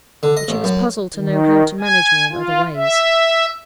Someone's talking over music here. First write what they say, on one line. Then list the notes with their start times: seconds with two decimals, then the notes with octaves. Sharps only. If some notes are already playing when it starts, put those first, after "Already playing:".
But she was puzzled to know how to manage me in other ways.
0.23 D3
0.37 D#5
0.48 A1
0.64 F#2
1.16 D#3
1.80 G#5
2.32 F4
2.76 E5